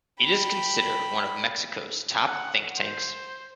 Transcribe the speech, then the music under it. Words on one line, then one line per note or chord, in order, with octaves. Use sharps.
It is considered one of Mexico's top think tanks.
G5 B5
F#5
C5